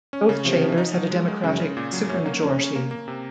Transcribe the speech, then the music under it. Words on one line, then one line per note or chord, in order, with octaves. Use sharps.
Both chambers had a Democratic supermajority.
C#4
C#3
C3 F3
F3
D#4
F#3
G#3
G#3
F#2 C#3
C#3
A#2
F#3
F#2 C#4
A#3
F2 C#4
C#3
A#3
A#3
C3